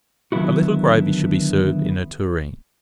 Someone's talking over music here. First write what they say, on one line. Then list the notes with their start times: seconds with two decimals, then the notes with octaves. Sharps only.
A little gravy should be served in a tureen.
0.32 D3 D#3 F#3 B3 E4 F#4